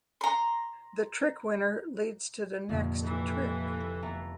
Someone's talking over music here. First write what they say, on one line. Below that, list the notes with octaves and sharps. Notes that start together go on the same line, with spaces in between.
The trick winner leads to the next trick.
A#5 C6
F1 F2 A#2 D3
E3 A4
A3 B3 A#5